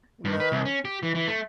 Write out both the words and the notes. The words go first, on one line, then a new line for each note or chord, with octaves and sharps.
No m
G2
B4
C2
C#4
G4
E3
E3
A3